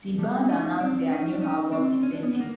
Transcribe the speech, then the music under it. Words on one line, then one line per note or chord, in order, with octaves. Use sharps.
The band announced their new album the same day.
G3 A3
C#4 D#4
C4 D4
C#4 D#4
D4
C#4 D#4
C4 D4
C#4
D4
B3 C#4
B3
A#3